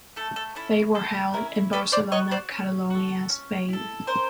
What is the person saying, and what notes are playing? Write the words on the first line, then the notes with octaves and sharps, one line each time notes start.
They were held in Barcelona, Catalonia, Spain.
A3 A4
A4
C#4 E4 A4
A3 A4
C#4 E4 A#4
C#4 A4 B4
C5 D5
F#4 A4 C#5 D#5
C5 D5
C#4
F#4 A4
C#4
E4 A4
C#4 A#4 C5